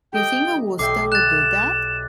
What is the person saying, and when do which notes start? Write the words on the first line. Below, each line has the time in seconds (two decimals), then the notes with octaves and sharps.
You think a Wooster would do that?
0.13 G4 A4 D#5 G5
0.79 B1 E5 G5 D6 C7
1.12 F#6 A6 E7